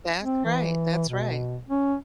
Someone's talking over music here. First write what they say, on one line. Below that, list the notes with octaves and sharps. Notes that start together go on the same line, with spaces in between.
That's right, that's right.
C4
E3
B2
C#4